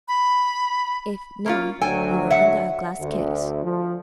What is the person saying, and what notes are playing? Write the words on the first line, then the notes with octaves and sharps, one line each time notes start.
"If, now, you were under a glass case."
B5
A#3 C#4 F4
D2 F#3 A4 G5 G#5
E5 F#5
D2
F3